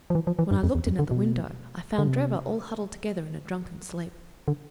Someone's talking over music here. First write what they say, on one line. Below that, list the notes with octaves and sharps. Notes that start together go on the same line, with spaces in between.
When I looked in at the window, I found Drebber all huddled together in a drunken sleep.
F3
E3
F3
E3
G2
F2
E2
F2
D3
B2
D3
C3
D3